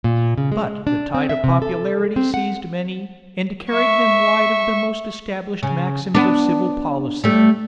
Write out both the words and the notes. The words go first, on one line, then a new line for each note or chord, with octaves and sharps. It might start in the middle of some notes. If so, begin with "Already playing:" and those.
But the tide of popularity seized many, and carried them wide of the most established maxims of civil policy.
A#2
C#3
G#3
D4
C4
E5
C3
A4
C4
F#5
E5 C#6
C#3
B3 D4
G3 A3